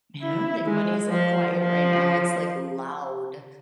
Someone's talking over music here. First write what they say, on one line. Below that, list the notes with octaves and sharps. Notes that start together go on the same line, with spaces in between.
Yeah, I don't think money is that quiet right now, it's, like, loud,
E4
G#3
F3
F3